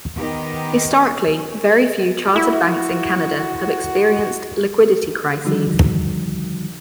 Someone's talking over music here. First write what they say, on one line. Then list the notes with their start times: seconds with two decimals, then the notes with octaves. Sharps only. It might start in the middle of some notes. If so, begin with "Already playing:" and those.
Historically, very few chartered banks in Canada have experienced liquidity crises.
0.17 D#3 B3 G4 D#5
2.36 E4 F#4
5.45 D3 D#3 F3 G3 D#4 F#4